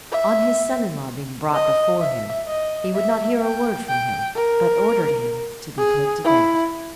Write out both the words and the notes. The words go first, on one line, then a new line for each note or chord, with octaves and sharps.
On his son-in-law being brought before him, he would not hear a word from him, but ordered him to be put to death.
E5
D#5
E5
D#5
E5
G5
G5
A#4
G#4
E4